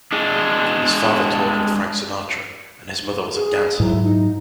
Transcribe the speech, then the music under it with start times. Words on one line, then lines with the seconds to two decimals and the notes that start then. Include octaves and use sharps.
His father toured with Frank Sinatra and his mother was a dancer.
0.12 G#3 D4
3.35 G#4
3.80 G#2 F#3 E4
4.03 D#4